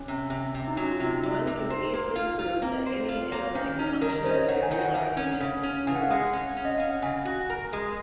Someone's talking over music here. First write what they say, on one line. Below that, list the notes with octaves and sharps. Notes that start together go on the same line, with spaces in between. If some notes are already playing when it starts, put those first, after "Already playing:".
One can easily prove that any analytic function of a real argument is smooth.
Already playing: C#4
C3
C3
C3
D#4
F#3 C#4
F4
C3 D#4
C3 D#4
C3
D#4 C5
A#3
F4
F4
A#3 C4
C5
F4
A#3
D#3 C#4
C#4 D#4
D#3 A#4
A#4
C#4 C5
D#5
C#5
D#3 F#5
G#5
D#3
F#5
D#3
C#4
C#3
C#4
C#3 G#5
F#5
F5
G#3 F#5
C#4
C#4
D#5
C#4 F5
F#5
C#3 G#5
F#4
A#4
G#3